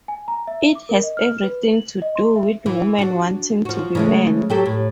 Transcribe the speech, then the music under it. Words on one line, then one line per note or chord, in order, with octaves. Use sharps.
It has everything to do with women wanting to be men.
G#5
A#5
E5
D6
A#4
D#5
F6
B4
F#7
D#5
C6
E5
E3
D4 F#4
F3 F#4
C#3 G#3 A3
F#3 G4 A4
A2